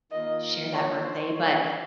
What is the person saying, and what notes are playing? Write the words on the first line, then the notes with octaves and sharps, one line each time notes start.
share that birthday, but
D#3 A#3 F4 D#5
C#5
C5
C#5